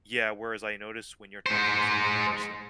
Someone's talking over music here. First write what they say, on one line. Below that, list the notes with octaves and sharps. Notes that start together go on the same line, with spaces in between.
yeah, whereas I noticed when you're talking to someone in person
G#3 C5